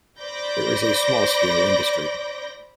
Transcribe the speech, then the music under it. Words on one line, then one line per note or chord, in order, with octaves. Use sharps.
There is small scale industry.
C5 D5 B5 D6 G6 A#6